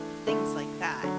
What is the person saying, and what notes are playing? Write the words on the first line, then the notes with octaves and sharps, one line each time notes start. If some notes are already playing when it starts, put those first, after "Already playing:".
things like that.
Already playing: E3 A3 D4
D3 A3 E4
D3 F#3